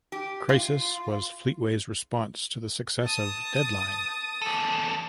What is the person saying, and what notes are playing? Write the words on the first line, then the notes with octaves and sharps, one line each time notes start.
"Crisis" was Fleetway's response to the success of "Deadline".
G4
F4
A5 D#6
E2 A4